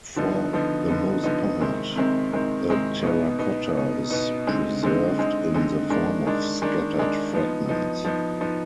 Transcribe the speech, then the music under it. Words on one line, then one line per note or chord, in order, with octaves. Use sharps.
For the most part, the terracotta is preserved in the form of scattered fragments.
D3 F3 B3 D#4
D3 F3 B3 D#4
D3 F3 B3 D#4
D3 F3 B3 D#4
C3 D#3 G#3 C4
C3 D#3 G#3 C4
C3 D#3 G#3 C4
C3 D#3 G#3 C4
B2 B3 D#4
B2 B3 D#4
B2 B3 D#4
B2 B3 D#4
D3 G#3 C4 D#4
D3 G#3 C4 D#4
D3 G#3 C4 D#4
D3 G#3 C4 D#4
D#3 G#3 D4
D#3 G#3 D4
D#3 G#3 D4
D#3 G#3 D4
F3 B3 D#4
F3 B3 D#4
F3 B3 D#4
F3 B3 D#4